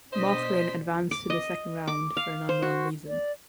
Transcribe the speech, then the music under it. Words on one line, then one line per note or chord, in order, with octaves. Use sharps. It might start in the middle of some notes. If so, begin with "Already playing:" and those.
Mauchline advanced to the second round for an unknown reason.
B2 D4 C5 D#5 B6
D6
D#5
D6
F5
C5
F#4
D5